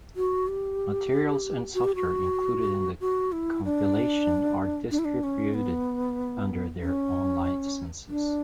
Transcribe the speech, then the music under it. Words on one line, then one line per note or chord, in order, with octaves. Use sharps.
Materials and software included in the compilation are distributed under their own licenses.
F#4
G4
F#4
G4
F#4
F#4
E4
D4
D4
E4
D4
C#4
B3
C#4
D4